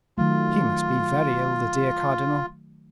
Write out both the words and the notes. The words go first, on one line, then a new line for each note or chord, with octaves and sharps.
"He must be very ill, the dear cardinal!"
D#3 F#3 A3 F4